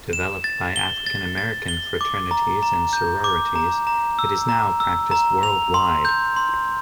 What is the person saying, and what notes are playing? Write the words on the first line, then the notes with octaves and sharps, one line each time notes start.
Developed by African-American fraternities and sororities, it is now practiced worldwide.
E7
A6
G7
A6
A6
G7
D6
A#5
A#5
G6
D6
A#5
A#5
E6
A#5
E6
A#5
F7
C6
G6
C6